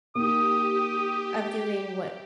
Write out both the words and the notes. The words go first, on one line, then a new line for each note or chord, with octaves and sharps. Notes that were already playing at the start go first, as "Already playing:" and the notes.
of doing what
A#3 D#4 G4 D#6